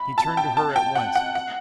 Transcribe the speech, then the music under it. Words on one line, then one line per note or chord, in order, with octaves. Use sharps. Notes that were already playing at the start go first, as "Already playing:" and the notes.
He turned to her at once.
Already playing: B5
A5
G5
A5
G5
F#5
F#5
F#5